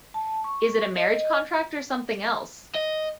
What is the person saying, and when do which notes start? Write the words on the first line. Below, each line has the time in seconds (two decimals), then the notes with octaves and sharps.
Is it a marriage contract or something else?
0.14 A5
0.44 C#6
0.97 D#5
2.75 D#5